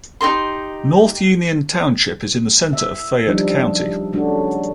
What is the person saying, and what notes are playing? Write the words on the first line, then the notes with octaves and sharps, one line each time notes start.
North Union Township is in the center of Fayette County.
D#4 G4 A#4 C6
E5
C#3 F3 G3 D4 D#4
C#3 F#3 A3 D4 F#4